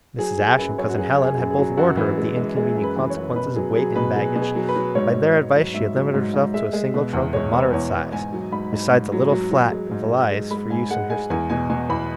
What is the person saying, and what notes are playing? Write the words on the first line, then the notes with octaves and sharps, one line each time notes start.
Mrs. Ashe and Cousin Helen had both warned her of the inconvenient consequences of weight in baggage; and by their advice she had limited herself to a single trunk of moderate size, besides a little flat valise for use in her stateroom.
F#3 G#4
F#3 G#4
F#2 B4
F#2 C#5
F#4
F#3 G#4
F#2
G#4
F#2
G#4
F#3
F#2 F#4
E3
G#3
G#3
G#3 G#4
F#2
B4
E3
C#5
F#2
B2 B4
F#3 G#4
F#3 G#4
B2 B4
F#3 G#4
B2
G#4
F#3
B4
F#3
G#2 C#5
G#2
G#2
F#3
G#2 E5
F#3
G#2
G#2
G#3 E5
G#3
B2
E2
G#3 C#5
B2 B4
E2 C#5
E2
G#2 G#5
F#3
G#2 B5
G#2
G#2
F#3
F#3
F#3
G#3
G#2
G#3
G#3
G#3 B5
G#2 G#5
G#3 F#5
G#3 G#5
E2 G#5
B2 G#5
B2 G#5
E2 B5